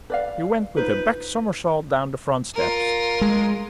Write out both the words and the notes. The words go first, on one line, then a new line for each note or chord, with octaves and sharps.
We went with a back somersault down the front steps.
B4 D5 F5
D#4 F4 B4 C5
F4 A#4
G#3